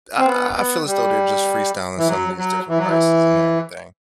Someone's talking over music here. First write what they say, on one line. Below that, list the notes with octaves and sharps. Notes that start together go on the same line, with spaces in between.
I I feel as though they're just free-styling some of these different prices and everything,
C4
B3
B3
G3
E3
F#3
F#3
E3
F#3
E3